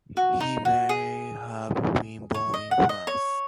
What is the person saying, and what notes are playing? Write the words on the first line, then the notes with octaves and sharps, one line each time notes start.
He may have been born in France.
F#4
D#4
F#4
G#4
C#5
D#5
F#5
D#5
C#5